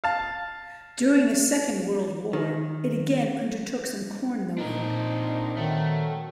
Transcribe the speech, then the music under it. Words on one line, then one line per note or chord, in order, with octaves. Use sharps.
During the Second World War it again undertook some corn milling.
F5 A5
D#3
A#2 C4 D4 D#4 A#4
D#3 F#3 A3